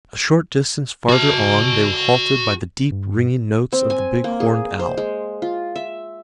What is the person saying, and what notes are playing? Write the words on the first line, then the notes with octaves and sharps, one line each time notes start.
A short distance farther on they were halted by the deep ringing notes of the big horned owl.
F#4 A5
G2
C4
G#5
A#3
G#4
C5
G#3
F4
E5